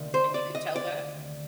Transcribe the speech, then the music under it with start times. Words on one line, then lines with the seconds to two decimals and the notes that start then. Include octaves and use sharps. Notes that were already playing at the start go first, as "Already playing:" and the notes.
and you could tell that?
Already playing: D2 C3 D#3 A#3
0.14 C5
0.34 D5
0.55 D#5
0.76 D5